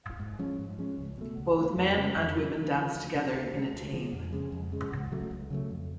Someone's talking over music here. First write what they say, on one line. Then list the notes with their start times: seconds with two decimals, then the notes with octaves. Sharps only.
Both men and women dance together in a "tame".
0.19 G#2
0.39 F3 G#3 C#4
0.59 G#2
0.78 F3 G#3 C#4
0.98 C#2
1.18 B2 A3
1.37 C#2
1.57 B2 A3
1.77 F2
1.96 C#3 F#3
2.16 F2
2.36 C#3 F#3
2.56 D2
2.75 C#3 F3
2.95 D2
3.15 C#3 F3
3.34 D2
3.54 D3 F3
3.58 G#3
3.74 D2
3.93 D3 F3 G#3
4.13 F2
4.32 C#3 G#3
4.52 F2
4.72 C#3 G#3
4.92 C#2
5.12 C#3 F#3 A3
5.31 C#2
5.50 C#3 F#3 A3
5.71 F2